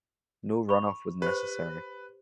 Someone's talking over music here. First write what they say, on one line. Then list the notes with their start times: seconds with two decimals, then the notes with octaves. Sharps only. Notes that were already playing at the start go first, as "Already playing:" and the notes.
No runoff was necessary.
0.69 B5 C#6
1.22 G4 B4 C5